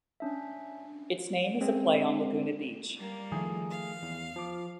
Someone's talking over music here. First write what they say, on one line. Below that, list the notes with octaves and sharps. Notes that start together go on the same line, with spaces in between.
Its name is a play on Laguna Beach.
C#4 D4 E5
G#3 C4 C#4
G3 A#3
D#3 F3 A3 G#4
F5
E2
F3 D6